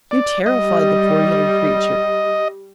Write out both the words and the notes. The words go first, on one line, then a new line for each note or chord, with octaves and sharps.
You terrified the poor young creature.
D5
G3 D#5